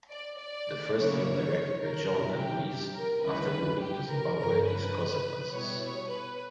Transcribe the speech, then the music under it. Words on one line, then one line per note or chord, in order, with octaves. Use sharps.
The first film directed by John and Louise after moving to Zimbabwe is "Consequences".
D5
D5
C#3 F#3 A#3 E4 C#5
A#4
B2 F#3 C#4 E4
G4
G4
A#4
D2 D3 G3 C#4 E4 B4
G4
A#4
G2 F#3 C#4 A#4
B4
B2 G3 B3 E4 C#5
C#5
B4